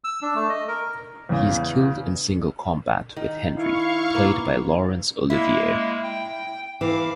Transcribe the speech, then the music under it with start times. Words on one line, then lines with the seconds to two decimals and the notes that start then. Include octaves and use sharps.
He is killed in single combat with Henry, played by Laurence Olivier.
0.04 E6
0.22 D4
0.35 A3
0.49 D#5
0.68 A#4
1.29 E2 C#3
3.16 D#3
3.56 E4 F5 C#6
4.15 A#3 B3
5.30 G#3 A#3 E4
6.03 G5
6.81 E3 F5 D6